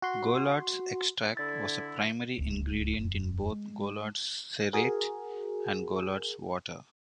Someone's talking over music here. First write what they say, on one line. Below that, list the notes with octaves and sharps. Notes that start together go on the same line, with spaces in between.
Goulard's Extract was a primary ingredient in both Goulard's Cerate and Goulard's Water.
F#4 C6
D3 E4 A6
D1 C#2 A3
E1 F#2
G#3
F#4 G#4 A#4